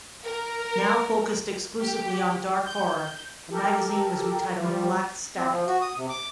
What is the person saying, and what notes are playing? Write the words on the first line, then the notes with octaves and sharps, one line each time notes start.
Now focused exclusively on dark horror, the magazine was retitled "Black Static".
A#4
G4
G6
G4 A4 A#4
F3 G3
C4
F3
F#4
D#6
C3
D6